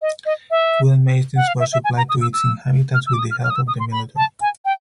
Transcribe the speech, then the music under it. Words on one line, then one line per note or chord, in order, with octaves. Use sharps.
Food and medicines were supplied to its inhabitants with the help of the military.
D#5
D#5
E5
F#5
F5
E5
E5
G#5
A#5
D#6
E6
E6
F6
E6
D6
D#6
F6
F6
D#6
E6
D#6
C6
B5
A5
G#5
G5